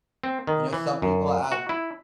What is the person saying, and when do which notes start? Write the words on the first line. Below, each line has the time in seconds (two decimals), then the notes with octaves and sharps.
you know, some people add
0.24 C4
0.47 D#3
0.73 E3
1.02 F#2
1.52 F#4
1.69 E4